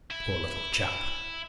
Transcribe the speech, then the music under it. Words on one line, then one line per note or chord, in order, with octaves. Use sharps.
Poor little chap!
E4